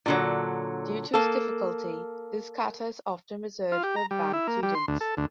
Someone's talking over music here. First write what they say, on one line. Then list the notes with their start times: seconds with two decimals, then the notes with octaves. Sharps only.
Due to its difficulty, this kata is often reserved for advanced students.
0.06 A#2 D3 F#3
1.14 A#3 A4
3.72 F4
3.83 G4
3.96 A#5
4.11 G3
4.33 E4
4.47 A#3
4.63 G3
4.75 C6
4.88 D2
5.01 A4
5.17 D2